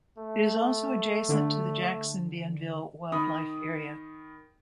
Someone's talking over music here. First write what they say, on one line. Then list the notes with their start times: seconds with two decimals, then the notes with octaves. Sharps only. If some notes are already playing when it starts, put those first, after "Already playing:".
It is also adjacent to the Jackson Bienville Wildlife Area.
0.18 A3
1.29 D3
3.12 D#3 B5 D#6